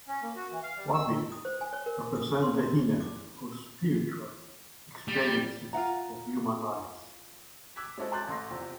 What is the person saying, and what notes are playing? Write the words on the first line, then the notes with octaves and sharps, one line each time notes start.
"Wabi" represents the inner, or spiritual, experiences of human lives.
C#4
A#3
F#4
E3
F5
G3
E6
D#6
C5
G#5
C#5
A#4
D#6
C6
E4
D6
G3
F4 F5 F#5 A#5
D6 E6 F#6 G#6 B6
G#3 C4 C#4 E4 F#4 A4
A5 C6 D6 F#6 G6 A6
A1 A3 C6 A#6
E2 C3 F3